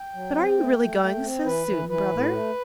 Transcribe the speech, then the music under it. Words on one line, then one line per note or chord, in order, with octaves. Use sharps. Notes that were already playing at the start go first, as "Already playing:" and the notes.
"But are you really going so soon, brother?"
Already playing: G5
F#3
C4
A3
A3
A3
C4
E3 B4
E3
E3 B4
A2
A3